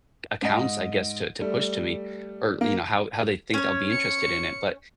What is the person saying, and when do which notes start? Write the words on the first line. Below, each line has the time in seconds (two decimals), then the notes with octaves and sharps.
accounts, I guess, to to push to me, or, you know, how how they think I'll be interested in it. But
0.42 G#2 D#5
1.41 G3 A3
2.61 A#3
3.54 C#4 C#5
3.91 C#7